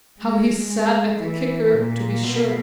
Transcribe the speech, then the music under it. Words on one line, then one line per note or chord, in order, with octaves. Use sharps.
How he sat the kicker to be sure!
G#3
G#3
E3
A#2
B2